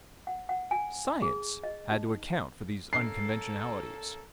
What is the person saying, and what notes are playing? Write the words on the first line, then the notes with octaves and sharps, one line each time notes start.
Science had to account for these unconventionalities.
F#5
F#5
G#5
G#4
D#5
D#4
A#3 C#4 A4 C7